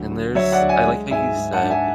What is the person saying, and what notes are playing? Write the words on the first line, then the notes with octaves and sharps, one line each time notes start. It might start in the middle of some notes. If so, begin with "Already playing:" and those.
And there's I like how you said,
Already playing: D2 F#3
F#3
F#3 C#5 E5
D5 F#5
D2
E5 G#5
G#3
G#2 E5 G#5
G#2
F#5 A5
D4
E5 G#5